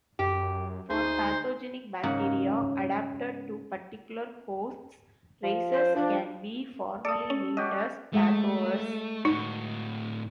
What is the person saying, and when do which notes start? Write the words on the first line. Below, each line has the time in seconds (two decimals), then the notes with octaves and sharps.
For pathogenic bacteria adapted to particular hosts, races can be formally named as pathovars.
0.19 F#2 G4
0.90 D2 D#4 G#4 C5
2.03 G#2 C#3 F#3 A#3 C#4 F#5
5.44 F3
5.73 C5
5.96 F3 D4
7.05 A4 D5 D#6
7.30 C#4
7.57 C#4 F#4 G4 D#5
8.13 G#3 A3 G#4 E5
9.25 A2 D#4 F#4